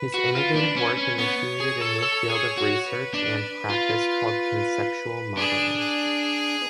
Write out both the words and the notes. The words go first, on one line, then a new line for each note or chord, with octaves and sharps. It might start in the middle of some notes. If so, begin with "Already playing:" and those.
His innovative work initiated a new field of research and practice called Conceptual Modeling.
Already playing: B4
F#4
F4
D4
C#4
C#4
B3 C#5
G#4
A4
A4
G#4
F#4
B4
D4
F4
D4 G#4
G#4